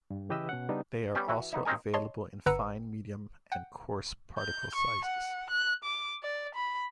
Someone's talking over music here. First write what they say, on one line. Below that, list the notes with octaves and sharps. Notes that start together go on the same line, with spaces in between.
They are also available in fine, medium and coarse particle sizes.
G2
C#3 E3 G4 B4 D#5 E6
B2 C#4 F#5
C#3 G3 B3 D4 D#4
G3 B3 C#4 G4
E3 E4 F#4
B3 D#4 E4
C4 C#4 D#4 A#4 G#5
C#5 D#5 A5 C6
G1 B4 F#5 A#5 E6 C#7
F#5 G5
G6
C#6
F#5
F#6
D6
D5
B5